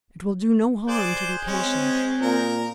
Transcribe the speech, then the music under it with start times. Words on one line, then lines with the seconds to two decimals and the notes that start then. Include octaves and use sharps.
It will do no harm to be patient.
0.87 G#4 C5 D5 F#6 G6
1.47 G#3 C4 C#4
2.22 A#2 A#4